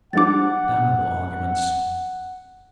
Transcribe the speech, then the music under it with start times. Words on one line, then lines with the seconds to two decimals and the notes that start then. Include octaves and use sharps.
Damnable arguments!
0.13 F3 G3 D4 F#5 D6 A6